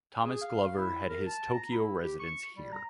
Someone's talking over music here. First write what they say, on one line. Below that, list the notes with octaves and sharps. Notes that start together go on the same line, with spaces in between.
Thomas Glover had his Tokyo residence here.
G#4
F5
E4
A#4
A5
A#5
E4
G4
C#6
G3
A#5